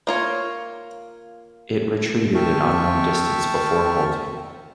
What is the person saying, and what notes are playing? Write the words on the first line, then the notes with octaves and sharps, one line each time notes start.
It retreated an unknown distance before halting.
A#3 F4 C#5
E5 G5 A5 C#6 F6